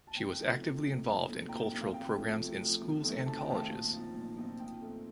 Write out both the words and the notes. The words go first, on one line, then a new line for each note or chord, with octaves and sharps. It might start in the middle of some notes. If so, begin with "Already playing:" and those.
She was actively involved in cultural programmes in Schools and Colleges.
A5
C3 G5
F3 A3 D#4
C3
F3 A3 D#4
A#2
A3 C4 D#4
A#2 G5 A#5
A3 C4 D#4
F5
C3 G5
F3 A3
C3
F3 A3
C3
D#3 A3 C4 D#4
C3 A5
G5
D#3 A3 C4 D#4 F5 A5
A#2
F3 C4 D#4
A#2
F3 C4 D#4
A#2 G5
A3 C4 D#4